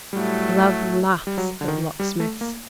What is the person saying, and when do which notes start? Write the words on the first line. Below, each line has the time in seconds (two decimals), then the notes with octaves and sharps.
Love laughs at locksmiths.
0.13 A2 F#3 G3 A3
1.27 G3
1.38 F#3
1.61 D3
1.68 D#3
2.00 G3
2.20 A3
2.41 A#3